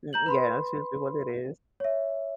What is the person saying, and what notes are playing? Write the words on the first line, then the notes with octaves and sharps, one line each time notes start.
M mm, yeah, that's usually what it is.
A#5 G6 F#7
B4 B5 C6
C#5 E5